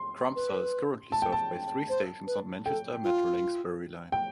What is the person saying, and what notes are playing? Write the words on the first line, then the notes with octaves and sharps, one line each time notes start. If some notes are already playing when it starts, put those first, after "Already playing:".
Crumpsall is currently served by three stations on Manchester Metrolink's Bury line.
Already playing: C6
B4
A5
G5
A5
C5
B4
A4 G5
F4
G5